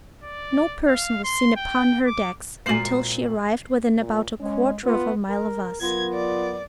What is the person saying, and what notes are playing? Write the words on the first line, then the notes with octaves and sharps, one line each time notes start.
No person was seen upon her decks until she arrived within about a quarter of a mile of us.
D5
F5
C6
G5
D6
A#2 G#3 C4 F#4 G#5 C7 F#7
A#2
G#3 C#4
B3 F4
A#4
F#3 B3 F4 A#4 G#6
D5